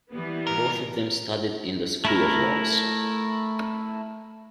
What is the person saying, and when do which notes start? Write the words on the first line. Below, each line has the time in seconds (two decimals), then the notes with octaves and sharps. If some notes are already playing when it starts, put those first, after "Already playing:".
Both of them studied in the School of Laws.
0.12 E3 G3 B3
0.47 A#4
2.05 A3 E4 A#4